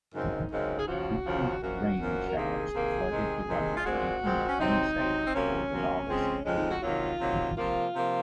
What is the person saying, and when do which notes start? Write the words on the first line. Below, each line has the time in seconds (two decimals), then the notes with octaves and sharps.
Frequent rain showers flooded the runway making it unsafe for the novice aviators.
0.14 F#2 C#3 G#3 C4 D#4
0.51 F#2 C#3 G#3 C4
0.79 G#4
0.88 D#2 C#3 F3 F#4
1.25 D#2 C#3 F3
1.62 F#2 F3 A#3 F#4
2.00 F#2 F3 A#3
2.29 A#4
2.37 C3 D#3 A#3 G#4
2.73 C3 D#3 A#3
3.11 C3 D#3 G#3
3.49 C3 D#3 G#3
3.77 F4
3.85 A#2 G#3 C4 F#4
4.23 A#2 G#3 C4
4.49 C#4
4.59 C3 F#3 C4 D#4
4.97 C3 F#3 C4
5.26 C4
5.34 C3 F#3 A#3 C#4
5.72 C3 F#3 A#3
6.09 F2 C#3 G#3 C4
6.45 F2 C#3 G#3 C4 C#4
6.58 D#4
6.70 F#4
6.83 C3 D#3 F#3 A#3 F4
7.20 C3 D#3 F#3 A#3
7.57 C3 F3 A#3 F4
7.95 C3 F3 A#3